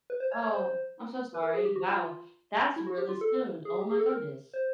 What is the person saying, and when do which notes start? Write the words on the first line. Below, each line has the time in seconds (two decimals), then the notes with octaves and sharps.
Oh, I'm so sorry. Wow, that's really soon, oh my goodness.
0.10 B4
0.20 C5
0.32 C#5
0.42 C#5
0.53 C5
1.34 B4
1.43 A#4
1.54 G#4
1.65 G4
1.76 F#4
1.88 F4
2.76 E4
2.87 F#4
2.98 G4
3.09 F4
3.21 A4
3.65 G#4
3.81 G4
3.90 G#4
3.99 A4
4.09 A#4
4.54 C5